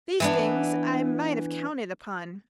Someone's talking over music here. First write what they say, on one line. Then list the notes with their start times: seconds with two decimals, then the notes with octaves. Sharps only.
These things I might have counted upon.
0.20 E3 B3 D4